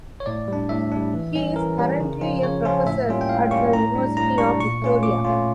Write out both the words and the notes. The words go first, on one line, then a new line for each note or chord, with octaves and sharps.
He is currently a professor at the University of Victoria.
C#5
A2 D5
G3 D4
A2 E5
G3 D4
E3
G3 C#4
E3 A#4
G3 C#4
C#3
F3 C#4 F4
C#3 C#5
F3 C#4 F4
A2 E5
G3 A#3 C#4 F4
G5
A2 F5
G3 A#3 C#4 F4 C#6
A2 A#5
G3 D4
A2 A#5
G3 D4 C#6
A#2 C#6
A3 C#4 F4
A#2 D6
A3 C#4 F4